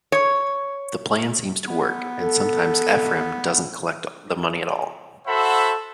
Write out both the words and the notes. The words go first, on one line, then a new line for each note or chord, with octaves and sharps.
The plan seems to work, and sometimes Ephram doesn't collect the money at all.
C#5
B3
A4
F#4 A4 C5 E5 F#5 B5